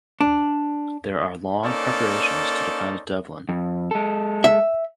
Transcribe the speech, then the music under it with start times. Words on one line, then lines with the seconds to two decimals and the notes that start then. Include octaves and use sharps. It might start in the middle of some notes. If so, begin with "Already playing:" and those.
There are long preparations to defend Devlin.
0.21 D4
1.63 A#3 C#4 D#4 A4 C5 D5
3.49 F2
3.91 G#3 A4
4.44 E5